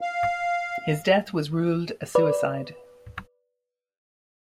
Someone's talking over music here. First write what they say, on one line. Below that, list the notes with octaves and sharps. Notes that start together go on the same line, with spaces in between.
His death was ruled a suicide.
F5
B4 D5